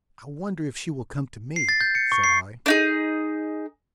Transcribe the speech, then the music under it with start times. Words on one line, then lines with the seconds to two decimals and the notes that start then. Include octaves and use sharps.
"I wonder if she will come to me?" said I.
1.56 C7
1.69 A6
1.81 G6
1.95 C#7
2.12 C#6
2.24 C7
2.66 D4 D#4 G#4